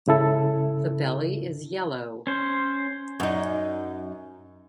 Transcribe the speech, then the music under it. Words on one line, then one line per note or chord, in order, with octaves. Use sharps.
The belly is yellow.
G#2 C#3 E4 A4
C#4 C5
F#2 D#4